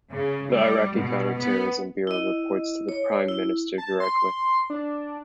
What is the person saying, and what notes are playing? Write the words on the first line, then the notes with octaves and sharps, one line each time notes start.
The Iraqi Counter Terrorism Bureau reports to the Prime Minister directly.
C#3
G3
B2
B3
E4 D#5
C#5
E4
A5
C6
D4